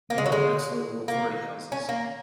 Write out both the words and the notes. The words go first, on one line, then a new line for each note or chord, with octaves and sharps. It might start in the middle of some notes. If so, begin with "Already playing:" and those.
Mainly ex-local authority houses.
A#3
G#3
F#3
G#3
A#3
C#4
A#3